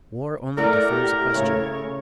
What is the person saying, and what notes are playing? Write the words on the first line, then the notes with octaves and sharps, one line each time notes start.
War only defers a question.
A3 E4 A#4 D5 F#5
G4
C#3 A3 C#5